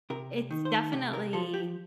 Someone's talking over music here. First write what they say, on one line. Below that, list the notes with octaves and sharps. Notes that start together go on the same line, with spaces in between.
It's definitely
C3 A#4
D#3
C5
C3
A#4
F3 A4
G4